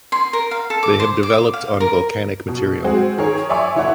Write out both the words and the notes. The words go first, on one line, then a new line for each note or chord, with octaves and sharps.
They have developed on volcanic material.
C6
A#4
F5
A4
D6
C5
D6
F5
A#4
B2
G#3 C4 F#4 G#4
D#3 G#4 A#4 C#5
C#5 D5 E5 G#5 C#6 D6
F1 E4 C#5 E5 F#5